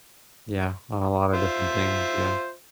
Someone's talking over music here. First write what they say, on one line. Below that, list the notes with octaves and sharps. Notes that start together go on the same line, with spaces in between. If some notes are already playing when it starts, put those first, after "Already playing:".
Yeah, on a lotta different things, yeah.
F4 C5 E5